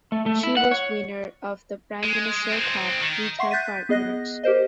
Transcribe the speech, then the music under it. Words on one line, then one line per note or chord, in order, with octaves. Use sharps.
She was winner of the Prime Minister Cup with her partners.
A3
A3
E4
F#5
C#5
G#3
G#3 C4
D#3
E5 F#5 C6 C#6 C7
F#6 G6 A6 B6 D#7
B3 G#4 D#5 F#6 A#6
G4 A#4 C5 D#5